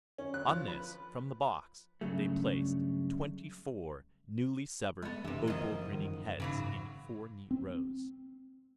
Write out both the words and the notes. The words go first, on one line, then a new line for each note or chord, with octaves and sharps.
On this, from the box, they placed twenty-four newly severed opal-grinning heads, in four neat rows.
C#4
F#6
F3
B4
G2 C#3 F#3 A3
G#3 A3 B3
F#1 G2 C3 E3 E5
F#1 G#2 F3 A#3 D#5
D#3
G#2 C#3 E3 F#3
C4